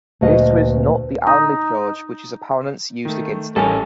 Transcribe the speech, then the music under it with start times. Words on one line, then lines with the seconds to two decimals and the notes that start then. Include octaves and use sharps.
This was not the only charge which his opponents used against him.
0.21 D2 A#2 F#4 B4 D#5 F5
1.27 D#4
3.05 D#3 A3
3.56 A1 G3 C#4 A4 A#4 G#5